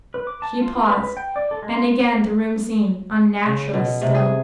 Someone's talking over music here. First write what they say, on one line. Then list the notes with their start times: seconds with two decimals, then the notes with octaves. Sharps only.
She paused, and again the room seemed unnaturally still.
0.14 B4
0.27 D6
0.42 A5
0.62 F4
0.75 F4
0.88 B4
1.02 B4
1.17 G5
1.36 D5
1.51 A4
1.63 G#3
1.74 C6
3.46 C#3
3.74 B2
4.01 C3
4.15 G#4